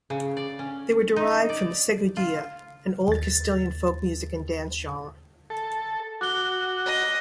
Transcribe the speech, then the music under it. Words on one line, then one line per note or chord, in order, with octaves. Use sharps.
They were derived from the Seguidilla, an old Castilian folk music and dance genre.
C#3
D5
C#4
D#4
D5
F4
D#2 A6
A4
F#4 D6 F#6 G7
D#5